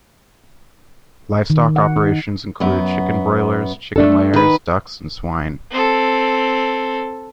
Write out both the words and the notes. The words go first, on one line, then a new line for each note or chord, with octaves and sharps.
Livestock operations include chicken broilers, chicken layers, ducks, and swine.
D#3
F#5
D#4
F#2 B3
A3 D4 A4
D#3 B4
C4 A4